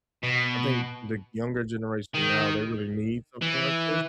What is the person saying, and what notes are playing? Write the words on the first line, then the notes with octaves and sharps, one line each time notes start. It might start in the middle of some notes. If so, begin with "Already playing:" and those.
I think the younger generation now they really need something like this,
B2
D#3
E3